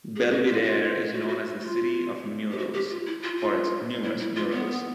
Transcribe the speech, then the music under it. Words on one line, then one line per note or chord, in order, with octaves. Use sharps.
Belvidere is known as the "City of Murals", for its numerous murals.
G#4
F#4
F4
F4
F#4
F4
F#4
F4
G4
F#4
G4
F4
E4
F4
F4
E4
E4
F4
B3